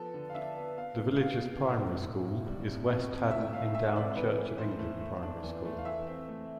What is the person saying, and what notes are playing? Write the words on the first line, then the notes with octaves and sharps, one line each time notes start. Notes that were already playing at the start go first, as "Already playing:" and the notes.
The village's primary school is West Haddon Endowed Church of England Primary School.
Already playing: F3 B3 A4
D3
F5
D4 E5
B3
B3 F5
C3
B3 F5
B3
A2
C4
A2
A2
G3
C3
F2
C3
A3 E5
A3 F5
A3 E5
C3 D5
E3 B4
E3
A2 C5
A3
A3
D4
E3
A3
F5
E3 E5
C4
A3